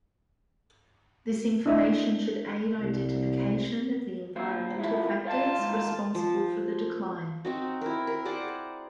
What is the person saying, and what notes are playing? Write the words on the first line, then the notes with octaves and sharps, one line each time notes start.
This information should aid identification of the environmental factors responsible for the decline.
D4 E4 D#5 E5
C2
A#2 C5 F5
F3 G#3 E4
F4 C5 D5 F5 A5
D#2 G#2 G#3
F3 C5
C4 D#4 F#4
E4 A#4
A#4
G#4 C5 D5 F#5